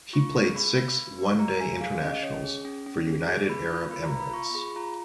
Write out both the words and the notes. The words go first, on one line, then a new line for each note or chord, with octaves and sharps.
He played six One Day Internationals for United Arab Emirates.
F4 C#6
G#4
B3 B5
B3
B3
B3
B3 A#5
B3 G#5
G#4 F5
C#4 D#5
C#4 C#5
G#4
C#4
C#4
G#4
G#4
B3 B5
F4
B3 B5
A#5
B3
B5
F4 C#6
G#4 B5
F4 A#5